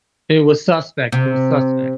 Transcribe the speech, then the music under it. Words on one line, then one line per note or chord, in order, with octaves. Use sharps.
It was suspect, it was suspect.
C3